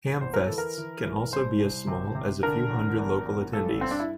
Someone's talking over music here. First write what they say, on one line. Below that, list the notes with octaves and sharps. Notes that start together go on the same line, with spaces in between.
Hamfests can also be as small as a few hundred local attendees.
E2 C5
A#4
E3 A4
A#4
E3
E3
C2 C5
C2
C3
C3
D3 A#4
E2
E2
E2
G2 A4
G2 C4
D4
E4